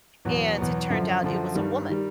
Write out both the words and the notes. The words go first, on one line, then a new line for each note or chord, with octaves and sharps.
and it turned out it was a woman.
E2 B2 F#3 B3
E2 B2 F#3 B3
F#2 D3 F3
F#2 D3 F3
G2 D#3 G3
D#3 G3